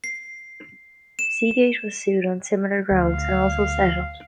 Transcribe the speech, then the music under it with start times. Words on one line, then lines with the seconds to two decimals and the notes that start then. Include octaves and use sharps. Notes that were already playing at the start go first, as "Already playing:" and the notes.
Seagate was sued on similar grounds and also settled.
0.04 C7
1.19 E7
2.91 D2 F5